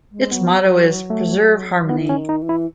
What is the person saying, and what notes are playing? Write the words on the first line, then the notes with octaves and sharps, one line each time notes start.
Its motto is "Preserve Harmony".
G#3
F#3 B3
A3
F#3
E3 B3
C#4
D#3
D#4
E3
E4